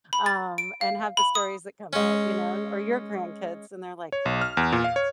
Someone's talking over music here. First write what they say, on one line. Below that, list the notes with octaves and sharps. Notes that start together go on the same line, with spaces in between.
Um, and have the stories that come out, you know, or your grandkids and they're like,
B5
A6
D7
F5
B5
D#6
G#3 C#4
C#5
B1
F6
E2
A#2
F5
C#5